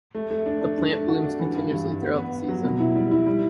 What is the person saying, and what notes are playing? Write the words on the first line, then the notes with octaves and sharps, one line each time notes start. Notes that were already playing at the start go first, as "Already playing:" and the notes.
The plant blooms continuously throughout the season.
A3
A3
D4
D4
D4
A3
F#4
D4
E3
G2
G2
E3
B3
B3
B3
F#3
B2
E4
G3
E4
G3